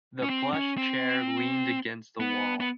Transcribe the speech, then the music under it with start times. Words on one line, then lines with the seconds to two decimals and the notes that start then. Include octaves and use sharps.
The plush chair leaned against the wall.
0.22 C#4
0.30 C4
0.54 C#4
0.77 C4
2.20 B3
2.60 B3